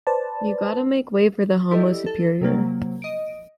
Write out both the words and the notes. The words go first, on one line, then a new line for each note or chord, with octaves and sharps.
You gotta make way for the Homo Superior.
B4 C5 D5 A5
E4 G4 A4 D5 D#5
A4
C3 F#3 A#3
D#5 D7